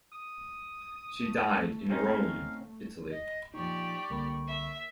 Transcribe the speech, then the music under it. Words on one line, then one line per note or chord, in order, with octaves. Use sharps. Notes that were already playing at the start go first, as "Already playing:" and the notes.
She died in Rome, Italy.
D#6
A3
C4 C#4 D#4 F5
D#5
A#2 F3 D#4 G4 D5 C#6
C2 D3 A#3 B5
E5